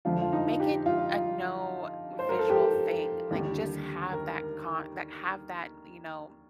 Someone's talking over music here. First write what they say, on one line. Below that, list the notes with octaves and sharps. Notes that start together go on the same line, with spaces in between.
"Make it a no visual thing," like, just have that con that have that, you know,
F2 D3 F3 F4
F4
D#4
G4
F4
C5
A#4
A4
G4
D#2 D3 G3
A#4